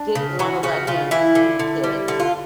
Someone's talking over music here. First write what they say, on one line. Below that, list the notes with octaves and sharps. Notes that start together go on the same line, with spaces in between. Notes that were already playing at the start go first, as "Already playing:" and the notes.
didn't want to let him see the kids,
Already playing: D4
C#3
E3 F#4
C#3 F#4
C#3 F4
E3 E4
D3
D3
G3
D3
F4